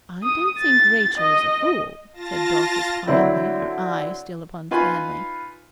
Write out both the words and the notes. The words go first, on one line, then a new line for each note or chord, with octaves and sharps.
'I don't think Rachel is a fool,' said Dorcas, quietly, her eye still upon Stanley.
D#6
A6
D#5
F4 A5 A6 A#6
D3 F#3 C4 E4
D#4 F4 B4 G#5 B5 C6